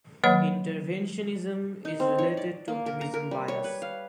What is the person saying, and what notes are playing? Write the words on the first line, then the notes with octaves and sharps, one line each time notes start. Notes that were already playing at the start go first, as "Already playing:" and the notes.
Interventionism is related to optimism bias.
D#3 F#3 A#3 C#5 F#5 B5
D#4
C4
C#5
D5
A#3
A#4
A#5
A#4
G3
C#5
B4
F5